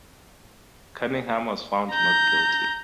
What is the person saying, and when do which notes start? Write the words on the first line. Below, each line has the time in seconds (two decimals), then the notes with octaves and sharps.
Cunningham was found not guilty.
1.91 A#5 G6